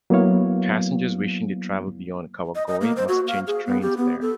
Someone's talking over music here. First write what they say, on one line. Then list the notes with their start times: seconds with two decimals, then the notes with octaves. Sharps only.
Passengers wishing to travel beyond Kawagoe must change trains there.
0.10 F#3 A#3 B3 E4 C#5 F5
2.55 D#5
2.68 D#5
2.81 A#3
2.96 C5
3.08 F#4
3.27 F5
3.47 G#4
3.66 B3
3.82 G4
3.97 B3
4.21 A4